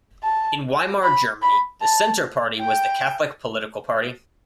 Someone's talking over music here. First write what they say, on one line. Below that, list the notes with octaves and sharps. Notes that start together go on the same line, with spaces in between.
In Weimar Germany, the Centre Party was the Catholic political party.
A5
B5
B5
A5
G5